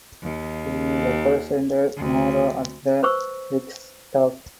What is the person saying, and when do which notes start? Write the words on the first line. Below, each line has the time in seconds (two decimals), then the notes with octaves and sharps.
He represented Nora at the Riksdag.
0.23 D#2
1.97 D2
3.03 B4 C5 C#6 E6